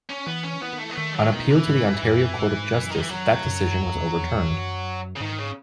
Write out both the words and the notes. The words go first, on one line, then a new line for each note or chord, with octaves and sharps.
On appeal to the Ontario Court of Justice, that decision was overturned.
C#4
E3 B3
C#4
E3 B3
D#3
A3
E3
B3
D#3 A3
F#3
B2 D#3
E3
G#2
F#2
G#2
F#2
D#3
E3
F#2 F#3
F#2
E2
E2
F#2
C#3
G#2 D#3
C#3